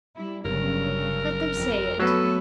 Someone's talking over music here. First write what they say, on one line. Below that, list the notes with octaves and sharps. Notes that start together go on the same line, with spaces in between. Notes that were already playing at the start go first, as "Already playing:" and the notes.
Let them say it.
G3 E4
G1 G2 C#3 F#3 A#4
F2
F#3 A3 B3 A4 B4 C#5